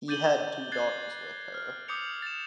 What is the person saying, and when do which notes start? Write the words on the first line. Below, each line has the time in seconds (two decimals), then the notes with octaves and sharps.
He had two daughters with her.
0.08 D6 G6 A6 D#7 F#7 G7
0.72 F#6 G#6 A6 C7
1.54 F6
1.88 D6 D#6 G6 C#7 F7
2.22 A6 E7